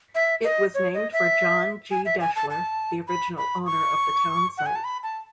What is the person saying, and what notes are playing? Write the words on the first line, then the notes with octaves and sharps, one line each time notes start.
It was named for John G. Deshler, the original owner of the town site.
E5
D#5
C#5
D#5
E5
G#5
E5
G#5
A5
A5
B5
B5
C#6
F#5
G#5
A5
B5
A5